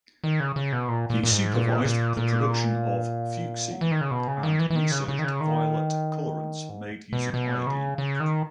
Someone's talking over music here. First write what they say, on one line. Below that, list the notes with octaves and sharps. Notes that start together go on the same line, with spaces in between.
He supervised the production of Fuchsine and researched violet colorants made using iodine.
D#3
C#3
C#3
B2
A#2
A#2
A#2
G#2
A#2
A#2
A#2
F#3
E3
D#3
C#3
B2
C#3
D#3
E3
E3
D#3
C#3
C#3
D#3
C#3
D#3
G#2
B2
B2
C#3
C#3
D#3